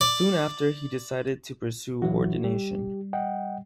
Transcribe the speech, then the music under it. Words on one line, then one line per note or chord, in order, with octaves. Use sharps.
Soon after, he decided to pursue ordination.
D5
A#2 E3 F#3 E4 F#4
G3 G4
D#5 F#5 G5